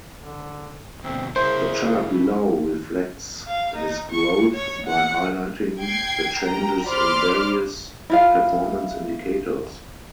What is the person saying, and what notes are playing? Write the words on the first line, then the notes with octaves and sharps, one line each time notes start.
The chart below reflects this growth by highlighting the changes in various performance indicators.
D3
D2 B2 C4
C#3 E4 A#4 C5
F5
D#4
C#6
C#5
F#5
G5 G#6 C7
G5 A#5
C5 D5 B5 C6 D6 F6
E4 F4 F5